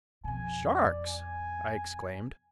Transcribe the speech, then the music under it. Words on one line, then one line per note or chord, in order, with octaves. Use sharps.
"Sharks?" I exclaimed.
F2 B2 G#5
D5
G#5